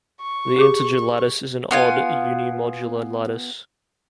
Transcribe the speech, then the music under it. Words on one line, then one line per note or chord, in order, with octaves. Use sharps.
The integer lattice is an odd unimodular lattice.
C#6
G4 G#4 D6
B3 F4 G#5